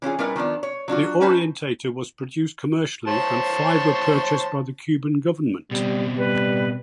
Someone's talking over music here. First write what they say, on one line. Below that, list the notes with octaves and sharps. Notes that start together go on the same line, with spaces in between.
The Orientator was produced commercially and five were purchased by the Cuban government.
E3 C#4 F4 G#4
G3 C#4 D#4 E4 A#4 B4
D#3 F3 B3 D4
C#5
F#3 D4 F4 F#4
C#4 D#4 F#4 B4 C5 A5
C5 C#5 A5
B2 G3 C4
G3 B4